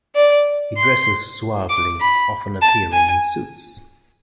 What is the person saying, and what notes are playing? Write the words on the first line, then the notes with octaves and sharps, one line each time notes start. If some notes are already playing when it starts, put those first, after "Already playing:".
He dresses suavely, often appearing in suits.
D5
C6
D6
B5
A5
G#5